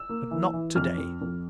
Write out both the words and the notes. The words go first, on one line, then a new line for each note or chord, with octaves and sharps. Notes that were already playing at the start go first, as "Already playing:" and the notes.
But not to-day.
Already playing: E6
A#3
E3
E3
F2 F6
F2
F2